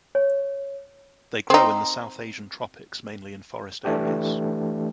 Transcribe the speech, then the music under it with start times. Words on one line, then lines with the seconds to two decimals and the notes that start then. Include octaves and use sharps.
They grow in the South Asian tropics mainly in forest areas.
0.15 C#5
1.50 C4 D#4
3.85 E3 A3 D4 G4